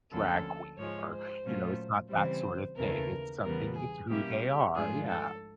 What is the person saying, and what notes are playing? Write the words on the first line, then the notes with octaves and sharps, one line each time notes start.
drag queen or, you know, it's not that sorta thing, it's something it's who they are, yeah.
D2 D3 F3 A#3 C#4 A4
G#2 F3 G#3 C#5
C5
A#2 F#3 A3 C#4 F4
C#3 E3 G3 C4 C5
D#2 C#3 E3 A3 A#4
E2 C#3 E3 G3 B3 A#4
G#4
B2 G3 A#3 C#4 E4 G4
G#2 F3 A3 D4 F4 G#4
A4